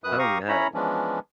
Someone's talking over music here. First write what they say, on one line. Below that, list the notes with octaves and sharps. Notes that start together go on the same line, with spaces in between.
Oh, no.
F#2 B4 D#6 F#6
G4 F5 A#5 C#6 D#6
C#4 E4 C#5 A#5 B5
E3 F3 G#3 B3 C#4 D4